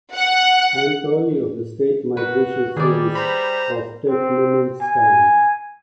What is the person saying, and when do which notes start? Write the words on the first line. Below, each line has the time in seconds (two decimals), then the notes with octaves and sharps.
Employee of the State Migration Service of Turkmenistan.
0.16 F#5
2.17 F#4 B4
2.77 D#3 G3 G#4 D5
3.15 C5 A#5 B5
4.09 C4
4.81 G#5